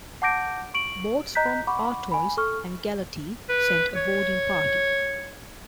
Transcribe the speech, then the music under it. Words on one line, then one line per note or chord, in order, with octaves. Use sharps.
Boats from "Artois" and "Galatea" sent a boarding party.
F#5 A5 D6 G6 A#6 D7
C#6 D7 F#7
D#5 A#5 F#6 G6 B6
F#5 B5 C#6 D6
G#5 B5
A4 C#6 F6
B4
C#5